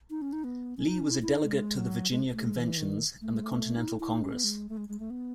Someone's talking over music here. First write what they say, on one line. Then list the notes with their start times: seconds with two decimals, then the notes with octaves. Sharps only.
Lee was a delegate to the Virginia Conventions and the Continental Congress.
0.11 D#4
0.22 C#4
0.33 D#4
0.44 B3
0.77 C#4
0.88 D#4
0.99 C#4
1.11 E4
1.22 E4
1.33 D#4
1.44 G#3
1.77 F#3
2.11 G#3
2.33 A3
2.44 G#3
2.56 D#3
2.61 E3
2.77 D#3
3.22 A3
3.33 G#3
3.44 A3
3.77 D#4
3.89 E4
4.00 E4
4.11 D#4
4.22 C#4
4.33 B3
4.44 G#3
4.69 A3
4.77 G#3
4.89 G#3
5.00 A3
5.10 B3